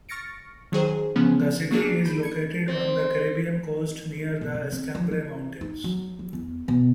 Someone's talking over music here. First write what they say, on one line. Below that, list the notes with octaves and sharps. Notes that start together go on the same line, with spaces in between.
The city is located on the Caribbean coast near the Escambray Mountains.
C#6 F6 A6 A#6 C#7 D7
D#3 F#3 G#4 C5
C#3 F3 B3 C#4
F#3 A#3 D4 G#4
B5 G6
G#6 C#7
C4
B2
C3
C4
F3
E3
D#4
F#3
F#3
E2
B2